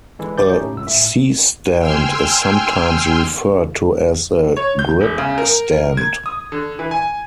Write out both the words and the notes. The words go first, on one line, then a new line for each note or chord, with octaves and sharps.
A C-stand is sometimes referred to as a "grip stand".
D3 E3 G#3
C5 D5 G6
A2 C#4 D#4 G4
C#2 F#2 E6
A2 E5
G5 G#5 C6 E6 F6
C#5
G6
E1
C#3
A#4
G#6
D#6
D3
E3
G#5